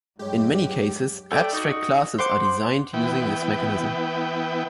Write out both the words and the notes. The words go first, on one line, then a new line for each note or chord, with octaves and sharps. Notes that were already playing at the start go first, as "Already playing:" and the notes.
In many cases, abstract classes are designed using this mechanism.
G2 F#3 G#3 G4 G#4 C#5
A3 D5 G5
D#4 F#4
C5 F#5 D6
E3 B3 G5